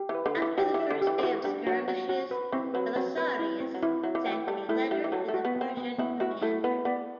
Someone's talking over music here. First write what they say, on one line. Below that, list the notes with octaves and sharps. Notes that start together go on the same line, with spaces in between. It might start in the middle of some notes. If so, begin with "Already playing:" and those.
After the first day of skirmishes, Belisarius sent a letter to the Persian commander.
Already playing: G4
E3
B4
D3
E4
E3
F#3 G4
E3
E5
D3
G4
E3
D3
E3 F#4
G3 D4
F#3 F#4
F#3 F#4
F#4
B4
E3 C4
F#3 B4
F#3 C4
B4
E4
C4
F#3
E3 E4
F#3 E5
E3
F#3 G5
E3
G3 A4
A3 E4
G3 E5
E3
F#3 A4
A3
F#4
B3
B3 C4
B3
B3 E4
E4 F#4
A3 E4
B3 B4
B3 D5